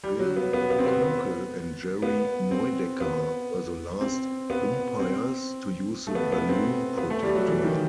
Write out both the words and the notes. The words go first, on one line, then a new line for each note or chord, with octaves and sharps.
Bill Kunkel and Jerry Neudecker were the last umpires to use the "balloon" protector.
G3
F#3
B3
B3
B3
C4
B3
B3
B3
C4
B3
C4
B3
C4
A3
B3
B3
C4
B3
A3
G3
F#3
E3
D#3